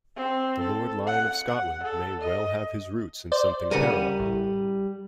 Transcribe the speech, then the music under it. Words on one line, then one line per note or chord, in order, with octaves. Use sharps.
The Lord Lyon of Scotland may well have his roots in something parallel.
C4
A4
F#5
F#5
A4
D#5
C5 D5
C#3 G3 A#4 F#5 D#7
A1